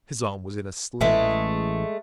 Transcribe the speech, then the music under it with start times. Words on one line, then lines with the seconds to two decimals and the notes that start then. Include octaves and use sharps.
His arm was in a sling.
1.01 A1 E3 G#3 A3